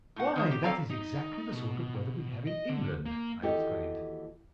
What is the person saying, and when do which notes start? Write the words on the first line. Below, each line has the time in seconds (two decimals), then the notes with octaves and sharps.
"Why, that is exactly the sort of weather we have in England!" I exclaimed.
0.16 A2 F#4 F#5
0.36 D#3 D#4 C5
0.51 G4
0.64 C4 A4 D5 F5 A#5
0.90 D#4
1.53 B2
2.47 D#5
2.69 D3
3.06 A#3
3.42 D#2 E3 F#4 G4 A4 D#5